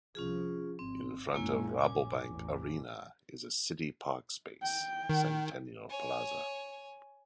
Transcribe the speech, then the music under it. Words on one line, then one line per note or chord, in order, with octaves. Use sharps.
In front of Rabobank Arena is a city parkspace, Centennial Plaza.
C2 F3 C#4 F4 G#4
G#1 C4
A#1 F#2 G#3 A#3 C#4 E4
G#5 D6
A1 E2
G5
D#3
C#5 G#5